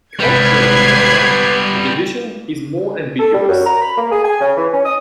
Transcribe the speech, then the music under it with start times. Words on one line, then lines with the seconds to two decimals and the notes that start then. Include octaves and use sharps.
Culturally, however, the division is more ambiguous.
0.20 G#1 C3 G3 B3 B4 F#6 G#6 C7
3.19 A4
3.33 G3
3.47 F#2
3.66 A#5
3.81 B5
3.97 A#3
4.11 G#4
4.24 G#5
4.40 C#3
4.56 E3
4.72 C#4
4.84 D#6